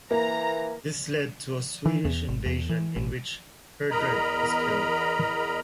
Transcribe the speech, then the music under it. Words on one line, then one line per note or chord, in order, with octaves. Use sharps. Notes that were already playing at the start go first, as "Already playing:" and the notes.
This led to a Swedish invasion in which Heardred was killed.
E3 A#3 A#5
E3
E2
G#1
E2
E3
A1
E2 A#4 D#5 A#5 B5